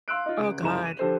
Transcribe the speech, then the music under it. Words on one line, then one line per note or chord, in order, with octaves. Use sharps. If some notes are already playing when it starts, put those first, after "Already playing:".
Oh god.
F5 C6 E6 F#6 D7
D#4 F4
C#2 D7
F#1 C2 G#3 A#5 E7
D#7
D3 F3 G4 A4 C5